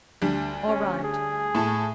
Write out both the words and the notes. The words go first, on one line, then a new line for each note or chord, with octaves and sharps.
'All right.
D2 G3 D4
C#4
G#4
A2 A5